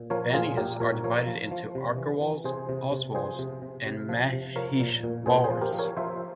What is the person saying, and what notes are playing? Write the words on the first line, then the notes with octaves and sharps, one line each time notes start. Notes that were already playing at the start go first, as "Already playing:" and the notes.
Banias are divided into Aggarwals, Oswals and Maheshwaris.
Already playing: A#2
F3 A#4 C#5
A#2 F4 G#4
A#2 G4 A#4
A#2 A#4 C#5
F3 A#4 C#5
F3
F3
C3
E3
E3
C3 G#4 C5
C3
C3
F3 G#4 C5
C3
C3
C3
F3
C3
F3 A#4 C#5
A#2
A#2
A#2 G#4 C5
G#4 C5
F3
G4 A#4
F3
A#4 C#5
F3 C5 E5